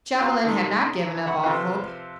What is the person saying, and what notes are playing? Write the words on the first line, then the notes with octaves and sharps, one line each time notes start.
Chauvelin had not given up all hope.
F4 F#4 B4 F5 A#5 C6
C3 D#3 A3
E5 F#5 B5 C#6
C3 F3 F4 A4 B4